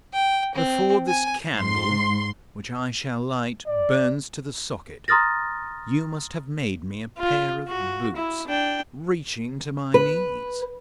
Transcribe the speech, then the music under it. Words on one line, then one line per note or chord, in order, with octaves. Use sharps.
Before this candle, which I shall light, burns to the socket, you must have made me a pair of boots reaching to my knees.
G5
C4
G#5
G#2 C6
D5
A#5 C6 D#6 F6 A6 A#6
F4
F#4
E4
D4 G5
B4